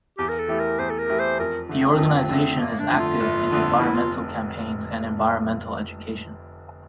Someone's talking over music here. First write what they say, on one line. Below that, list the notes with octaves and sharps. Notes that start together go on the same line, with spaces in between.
The organisation is active in environmental campaigns and environmental education.
E2 G4
A#4
A4
E3 A3 E4 G4
A#4
E2 C5
A4
A#4
E3 A3 E4 G4
C5
F2 A#4
D3 A3
C4
F2
D3 A3
G1 A#3
D4
F2 D3 A3
F4
G1
F2 D3 A3
F1 E4
F4